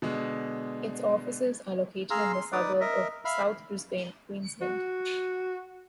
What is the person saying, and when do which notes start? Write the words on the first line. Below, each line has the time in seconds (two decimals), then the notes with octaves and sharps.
Its offices are located in the suburb of South Brisbane, Queensland.
0.02 B2 D3 G#3
2.10 G#4 F5 A#5 C6 E6 F6
2.33 C6
2.53 D#4 B4 D5 D6 D#6
2.81 A#4 D#5 E5
3.25 E5 F5 B5 F6
4.62 F#4